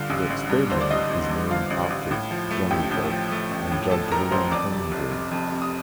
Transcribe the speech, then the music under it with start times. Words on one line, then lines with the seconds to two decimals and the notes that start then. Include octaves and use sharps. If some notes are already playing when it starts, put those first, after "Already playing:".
The stadium is named after Johnny Vaught and Judge William Hemingway.
Already playing: G2 D3 F4 F5
0.10 A1
0.30 A1
0.50 G2
0.70 D3 C5
0.81 D5
0.90 A1 D#4 D#5
1.10 A1
1.30 G2
1.50 D3 F4 F5
1.70 A1
1.90 A1
2.11 A2
2.31 F3
2.51 A3
2.71 A1 G4 G5
2.91 A2
3.11 F3
3.31 A3
3.51 A1
3.72 A2
3.91 F3 A4 A5
4.11 A3 A#4 A#5
4.32 A1 C5 C6
4.52 F2 D5 D6
4.72 C3
4.92 F1
5.12 F1
5.31 F2
5.52 C3
5.62 D#6